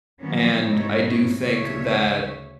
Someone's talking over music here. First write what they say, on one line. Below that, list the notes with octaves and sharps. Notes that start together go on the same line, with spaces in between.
and I do think that,
D#3 F3 F#3 A#3 B3 C#4
G#2 C3 A3 D#4 E4 C#5
D2 C#3 C#5 E5